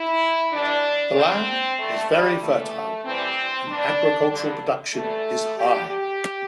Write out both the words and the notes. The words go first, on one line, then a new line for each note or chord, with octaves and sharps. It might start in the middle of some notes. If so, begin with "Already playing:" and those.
The land is very fertile and agricultural production is high.
Already playing: E4
A2 E3 G3 D4
G2 D3 G3 C4
G2 D3 G3 A3
G3
G2 E3 G3 A3
D2 C3 E3 G3 C4
G2 G3 D4
G2 D3 G3
E2 E3 G3 A3
D2 D3 G3 G4
G4